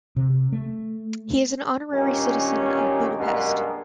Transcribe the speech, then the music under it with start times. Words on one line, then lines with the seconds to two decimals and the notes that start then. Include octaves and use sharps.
He is an honorary citizen of Budapest.
0.17 C3
0.52 A3
1.92 G2 A#2 D#3 C#4
3.17 F#2 B2 G3 G#3 A#3 D4